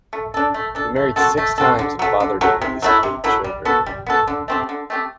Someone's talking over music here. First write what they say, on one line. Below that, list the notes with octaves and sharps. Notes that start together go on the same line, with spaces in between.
He married six times and fathered at least eight children.
A3
D4 A4
A3
D4 A4
A3
C4 F#4 A4
A3
C4 F#4 A4
D3
F#3 A3
D3
F#3 A3
C3
F#3 A3 E4
C3
F#3 A3 E4
G3
B3 F#4 A4
G3
B3 F#4 A4
D3
A3 C4 G4
D3
A3 C4 G4